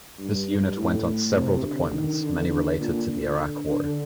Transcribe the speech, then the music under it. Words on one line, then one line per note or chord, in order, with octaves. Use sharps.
This unit went on several deployments, many related to the Iraq War.
G2
G2
A2
C3
D3
D#3
D3
D3
A#2
D3
D3